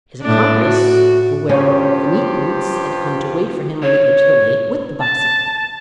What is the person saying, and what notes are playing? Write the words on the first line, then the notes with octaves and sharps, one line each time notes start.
His accomplice, the wearer of the neat boots, had come to wait for him on the edge of the lake with the bicycle.
A2 D4
F#4
G2 F3 C#4 G4
C#5
A5